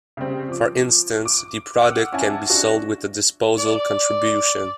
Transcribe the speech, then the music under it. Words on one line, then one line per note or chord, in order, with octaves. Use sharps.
For instance the product can be sold with a disposal contribution.
C#3 G3 C4
F3 D6
D6
F#5 D6 E6 F6
C#4 E4 F#5 G#5 A5
D4 E4 F#4
D5